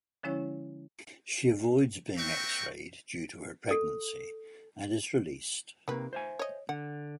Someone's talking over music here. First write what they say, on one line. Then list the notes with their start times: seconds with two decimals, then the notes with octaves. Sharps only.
She avoids being X-rayed due to her pregnancy, and is released.
0.23 D3 F3 G#3 C#4 E4 C#5
2.16 A#3 C4 F#4 E5 G5 C#6
3.71 A4
5.88 C3 D#3 A#3 B4
6.13 C5 E5 G#5
6.39 C#5 D#5
6.69 D3 F#5